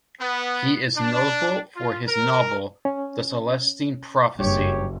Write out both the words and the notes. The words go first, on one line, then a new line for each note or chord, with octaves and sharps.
He is notable for his novel "The Celestine Prophecy".
B3
D4
F4
A#4
C#4
F#1 G2 G4 C#5